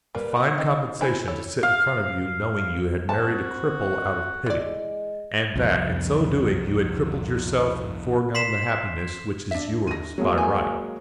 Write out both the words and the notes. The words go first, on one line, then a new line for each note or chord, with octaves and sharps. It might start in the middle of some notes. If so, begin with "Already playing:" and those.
A fine compensation to sit in front of you knowing you had married a cripple out of pity, and that in so doing you had crippled yourself and foregone the happiness which is yours by right.
G3 A#3 B4
F#5
C4 D#4 D#5
C4 E4 C5 G#5
E4 A4 C#5
F5
C4 F#4 A5
E3 G#3 D5
C2 F2
C6 B6 C7 E7
D4 E5
A#6 D#7
F#3 G#3 A#3
G#5